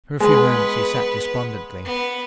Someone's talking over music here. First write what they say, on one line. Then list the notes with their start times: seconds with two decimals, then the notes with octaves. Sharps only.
For a few moments he sat despondently.
0.20 G#3 B3 B4
1.85 B3